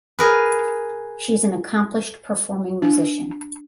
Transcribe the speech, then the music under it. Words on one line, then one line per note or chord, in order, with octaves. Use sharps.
She is an accomplished performing musician.
G#4 A#4 B4
D4